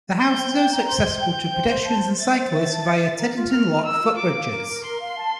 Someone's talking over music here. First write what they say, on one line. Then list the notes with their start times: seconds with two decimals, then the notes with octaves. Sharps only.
The house is also accessible to pedestrians and cyclists via Teddington Lock Footbridges.
0.20 C5 G6
0.37 G5
0.53 G5
0.69 A#5
0.86 C5 G6
1.03 C5
1.19 G5
1.36 G5
1.53 C5
1.69 C5
1.86 A5
2.02 C5
2.19 E5 A6
2.35 C5
2.52 E5
2.68 A5
2.84 E5
3.01 E5
3.18 A#4
3.35 F4
3.51 A#4 F6
3.68 A#4
3.84 A#4 E6
4.02 F4
4.17 A#4 D6
4.35 F5
4.51 A#4
4.67 A#4
4.84 A#4 C6
5.00 F5
5.17 A5